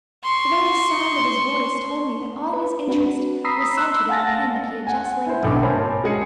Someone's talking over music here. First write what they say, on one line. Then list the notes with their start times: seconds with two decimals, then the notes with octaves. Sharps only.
The very sound of his voice told me that all his interest was centered in the pen that he had just laid down.
0.23 C6 C#6
2.53 B4
2.88 C4 D4 F#4 B4
3.44 A#5 B5 D#6 E6 B6 C7
3.77 C6 E6 F#6
4.09 F5 F#5 G#5 A5 A6 A#6
4.87 F#5 G#5
5.27 E4 C5
5.43 B1 A2 D3 D6
5.62 A#4 C5 C#5 G#5 A5 B5
6.04 G#3 G#4 C#7